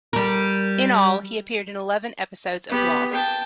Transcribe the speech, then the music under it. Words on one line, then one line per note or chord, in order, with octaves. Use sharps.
In all, he appeared in eleven episodes of "Lost".
G3 A#4
B3 G4
G5 A5